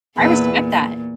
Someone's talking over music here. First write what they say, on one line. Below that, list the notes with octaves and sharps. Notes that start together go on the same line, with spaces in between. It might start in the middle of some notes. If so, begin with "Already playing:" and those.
I respect that.
E2 A#2 B4
A#2